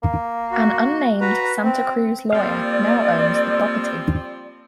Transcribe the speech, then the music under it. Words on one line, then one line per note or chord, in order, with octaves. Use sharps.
An unnamed Santa Cruz lawyer now owns the property.
A#3
F#4
F#4 B4 A#5
C4
F3 G3 A#3 C4 D5 F5